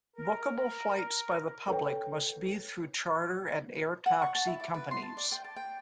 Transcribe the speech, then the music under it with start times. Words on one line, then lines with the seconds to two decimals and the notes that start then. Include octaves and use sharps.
Bookable flights by the public must be through charter and air taxi companies.
0.16 A#4
1.68 A4 B4 C#5 G5
4.06 F#5
4.22 C#6
4.35 A5
4.47 E4
4.60 D5
4.74 B4
4.91 C6
5.02 A5
5.17 D5
5.32 G5
5.44 A5
5.56 G5